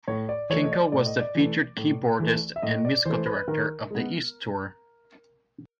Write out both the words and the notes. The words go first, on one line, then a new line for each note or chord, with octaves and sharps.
Kinkel was the featured keyboardist and musical director of the East tour.
A2 C#5
D5
E3 A3 C#5
D#5
D5
A2 D5
D#5
D5
E3 A3
A2
E3 A3
E5
A2 D#5
D5
E3 A3 C5
B4
D#3 A#4
G#3 B3